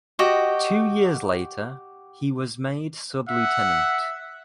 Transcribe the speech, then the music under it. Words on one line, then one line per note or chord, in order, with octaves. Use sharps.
Two years later, he was made sub-lieutenant.
F#4 G4 D#5 G5
E5 F#5